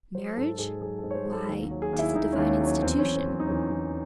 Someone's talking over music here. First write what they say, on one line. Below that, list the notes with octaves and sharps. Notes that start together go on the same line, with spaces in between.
'Marriage?--why 'tis a divine institution.
F#3 C5
G#2 A4
G#2 G#4
F#3 G#4
A4
G#2
C#5
C5
F#3
A4
D#2
F#3
G#4
D#2
E4
D#2 D#4
D#2 C#4
C#4
F#3
C#4
E2 C4
C#4
E2
C4
F#3
C#4
D#4
E2 C#4
E2